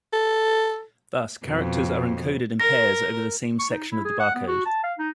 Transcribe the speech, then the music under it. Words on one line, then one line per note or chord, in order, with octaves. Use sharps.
Thus characters are encoded in pairs over the same section of the barcode.
A4
F2 B2
A#4 A#6
C#6
D#4
E4
G#4
F#5
B3
F#4
A5
F5
D#4